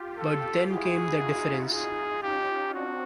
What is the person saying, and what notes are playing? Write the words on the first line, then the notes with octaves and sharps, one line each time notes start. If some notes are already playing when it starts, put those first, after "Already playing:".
But then came the difference.
Already playing: F4 G4
A4
E4 F#4 G#4
D#4 F4
G#4
C#4 D#4 G4
C4 D4 F#4